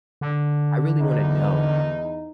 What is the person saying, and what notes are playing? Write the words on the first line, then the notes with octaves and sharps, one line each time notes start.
I really wanna know,
D3
E2 D#4